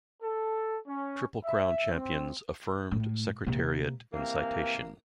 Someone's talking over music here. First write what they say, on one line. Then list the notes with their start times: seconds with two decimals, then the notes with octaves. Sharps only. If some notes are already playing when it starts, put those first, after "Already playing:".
Triple Crown champions, Affirmed, Secretariat, and Citation.
0.23 A4
0.87 C#4
1.45 E5
1.93 C4
2.91 A2
3.46 C3 A#3
4.13 C3 E3 A#3